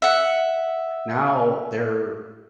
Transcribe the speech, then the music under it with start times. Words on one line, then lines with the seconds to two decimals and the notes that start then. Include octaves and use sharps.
now they're
0.02 E5 F#5